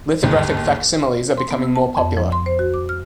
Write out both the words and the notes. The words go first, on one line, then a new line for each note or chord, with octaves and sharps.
Lithographic facsimiles are becoming more popular.
G1 D#2 G#2
C6
B3
E6
A5
F2
F3
C6
C5
F#4
D6
F6